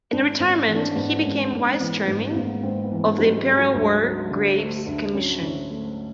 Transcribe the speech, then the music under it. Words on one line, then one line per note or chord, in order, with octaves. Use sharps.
In retirement he became Vice Chairman of the Imperial War Graves Commission.
G#1 D4
D4
G#1 C#4
E3 C#4
D4
C#4
G#2 B3
G#1 C#4
D4
C#4
G#1 C4
C#4
C4
E3 B3
G#2
A#3
G#1 B3
G#1 C4
B3
E3 C4
C#4
G#2 F#3
G3
G3 A3
F#3
D2 G3
F#3
D3
A3
D2
F#3 C#4
D3
A3